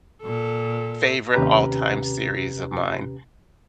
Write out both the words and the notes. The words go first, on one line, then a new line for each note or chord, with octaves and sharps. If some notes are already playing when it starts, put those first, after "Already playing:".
favorite all-time series of mine.
A#2 A4
D#2 C3 C#4 G4 B4 A#5